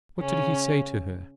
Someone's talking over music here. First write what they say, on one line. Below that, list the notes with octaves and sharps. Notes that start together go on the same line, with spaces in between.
What did he say to her?
C#3 C#4